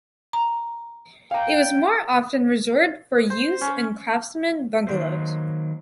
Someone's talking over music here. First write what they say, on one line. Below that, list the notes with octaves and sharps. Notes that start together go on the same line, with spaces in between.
It was more often reserved for use in Craftsman Bungalows.
A#5
F5 G5 A#5
C5
C#4
D#3 E3 F#3 A#3 C5